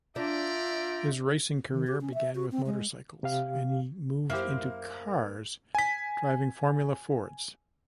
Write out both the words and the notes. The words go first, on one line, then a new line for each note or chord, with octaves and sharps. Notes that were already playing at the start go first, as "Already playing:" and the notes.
His racing career began with motorcycles and he moved into cars driving Formula Fords.
D4 F4 D5 E5 G5 A#5
D#3
G4
C#4
E5
F#4
C4
G#3
C3 G4 F5
F#2 A#3 E4 G4 A#4 C5
G#5 B6